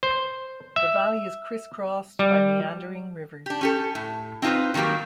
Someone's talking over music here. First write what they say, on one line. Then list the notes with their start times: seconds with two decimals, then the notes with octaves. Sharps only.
The valley is criss-crossed by meandering rivers.
0.03 C5
0.76 E5
2.19 G3
3.46 D4 G4
3.61 C#4 G4 A4
3.95 A2
4.42 C4 D#4 F4 B4 C5
4.74 D#3 F#3 G3 A#3 G4